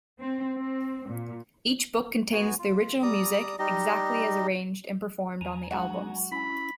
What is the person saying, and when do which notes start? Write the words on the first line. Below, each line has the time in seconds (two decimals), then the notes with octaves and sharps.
Each book contains the original music, exactly as arranged and performed on the albums.
0.19 C4
0.57 C4
1.10 A#2
2.32 B3 F#4 G#5
2.59 F4
3.03 G3 D5 A#5 D#6
3.59 G3 D#4 G4 D#5
5.41 E2 G#5 A#5
5.71 F#3 G#3 D4 F#4
6.32 C#4 E4 B5